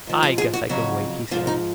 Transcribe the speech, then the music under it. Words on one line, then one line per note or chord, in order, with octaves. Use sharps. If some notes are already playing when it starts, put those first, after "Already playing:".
"I guess I can wait," he said.
G#2 F3
G#4
G#4
F#4
F2 C#3 F#3 F#4
G#2 F3 F4
D#4